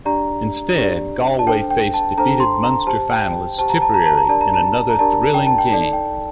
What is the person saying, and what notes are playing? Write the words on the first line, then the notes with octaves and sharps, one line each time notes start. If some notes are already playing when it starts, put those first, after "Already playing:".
Instead Galway faced defeated Munster finalists Tipperary in another thrilling game.
D4 G4 D5 A#5
D4 G4 D5
A5
D4 A4 C5 G5
G5
A5
D4 A4 C5 A#5
C6
A#5
G4 C5 A5
G5
G4 C5 A5
A#5
A5
A#5
A5
A#5
D4 G4 A#4 D5 A5
A#5
A5
A#5
D4 G4 A#4 D5 A5
G5
A5
G5
D#4 A4 D5 A5
G5